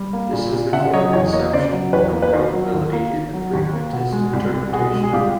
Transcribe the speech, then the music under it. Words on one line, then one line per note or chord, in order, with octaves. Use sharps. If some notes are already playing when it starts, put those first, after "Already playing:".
This is the core conception of probability in the frequentist interpretation.
Already playing: G3
A#3
A#2
A#2
C#3 E5 F#5
F#3 C#5 D#5
E2 C#5 D#5
A#3 C#5 D#5
C#3 C5 D5
F#3
E2 B4 C#5
A#3
B4
D#3 A#4 C5
F#3
D#2
A#3
D#3
F#3
D#2
A#3
B2
G#3
C2
C2
B2 F#4 G#4
G#3
G#4
C2 F4 G4